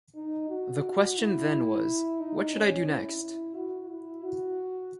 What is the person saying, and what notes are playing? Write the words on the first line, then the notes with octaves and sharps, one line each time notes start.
The question then was: what should I do next?
D#4
F#4
E4
D#4
C#4
E4
F#4
E4
F#4